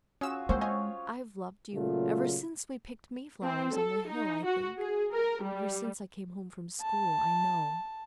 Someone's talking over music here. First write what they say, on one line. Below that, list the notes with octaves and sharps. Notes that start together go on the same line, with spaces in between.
I've loved you--ever since we picked mayflowers on the hill, I think--ever since I came home from school, I know.
C#4 F4 F#4 G#4 E6 E7
G#3 A#3 C4 C#4 F#4 C5 C#5
C#4 F4 C#5 D#5 G#5
A#2 C#3 F#3 A3 F4
C4
A4
D#4
F#4
G#4
A#4
G3
A5